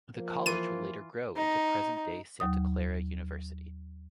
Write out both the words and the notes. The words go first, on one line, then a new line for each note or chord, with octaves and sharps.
The College would later grow into present-day Santa Clara University.
F3 A#3
E3 F4 D#7
D#4
D#2 F#3 D#6